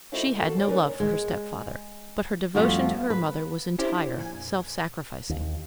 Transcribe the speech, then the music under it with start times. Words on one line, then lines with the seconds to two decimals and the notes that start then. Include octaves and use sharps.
She had no love for her stepfather, but her devotion to her mother was entire, self-sacrificing.
0.12 D#4 E4 F#4 A4 C5 D#5
0.26 C#3
0.39 A#3 F#4 A4 A5
0.56 G#2 D#3 B4 C#5 D5
0.68 C#4 D#4 A#4 B4 D5 A#5
1.00 G#3
2.55 F2 F3 G3 A3 F4 F#4
3.10 B4
3.79 C#4 D4 E4 G4 C5
4.18 F2 A#2 G#5
5.29 D#2